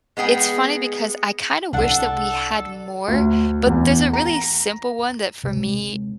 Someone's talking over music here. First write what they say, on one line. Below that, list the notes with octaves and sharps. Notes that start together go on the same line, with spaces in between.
it's funny because I kinda wish that we had more, but there's a really simple one that for me,
G#3 B3 G#4 G5
C2 D4 A4 F#5
D2
E2
A#5
C3 G#3